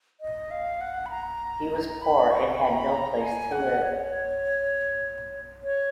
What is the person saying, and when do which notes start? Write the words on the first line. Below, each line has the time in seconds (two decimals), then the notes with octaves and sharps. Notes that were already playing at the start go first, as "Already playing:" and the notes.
He was poor and had no place to live.
0.21 D#5
0.51 F5
0.81 F#5
1.06 B5
1.10 A#5
2.02 B5
2.31 C#6
2.61 B5
2.70 A#5
2.78 B5
2.92 A#5
3.21 G#5
3.52 F#5
3.82 C#5
5.63 C#5